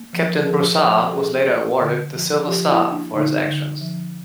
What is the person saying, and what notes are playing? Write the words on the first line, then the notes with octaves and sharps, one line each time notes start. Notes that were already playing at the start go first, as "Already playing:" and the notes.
Captain Broussard was later awarded the Silver Star for his actions.
Already playing: A#3
F3
F3 G#4 A#4
F3
A4
C#4 F#4 G#4
A#3
D3
F3
F3 F4 G4
E4 F#4
A#3
D4
D3 D#4
D3
F3